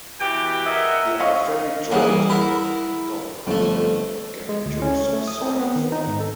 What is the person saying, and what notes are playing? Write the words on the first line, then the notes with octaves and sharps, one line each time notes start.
They are very drought intolerant, but can endure some soil flooding.
B2 E3 G4 G5
G#4 A#4 D#5 E5 F#5
D#5 F5 C#6
E3 G3 A#3 G#4 F5 F#5
E4 A#4 F#5 B5
G1 F2 A3
G#3
D2
C#4
C#5
A3
D#6
C4
B3
D#3
D#4
G#2
A4